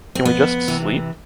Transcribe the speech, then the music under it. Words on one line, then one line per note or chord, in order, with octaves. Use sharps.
Can we just sleep?
C4
F2 B3
C3 E3